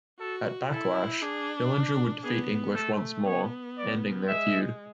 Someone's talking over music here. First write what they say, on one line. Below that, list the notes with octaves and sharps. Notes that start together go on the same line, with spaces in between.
At Backlash, Dillinger would defeat English once more, ending their feud.
F#4 A4
E4 A4
D4 G#4
B3 G#4
A3 A4
B3 C#5
D5
G#3 E5